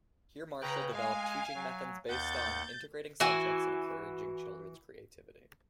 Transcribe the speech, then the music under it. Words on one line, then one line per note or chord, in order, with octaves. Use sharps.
Here Marshall developed teaching methods based on integrating subjects and encouraging children's creativity.
C#3 B4 G5 A#5 F#6
G#3 F5 G#5
F#3
D#2 F#5 G6 A6
E3 F#4 G#5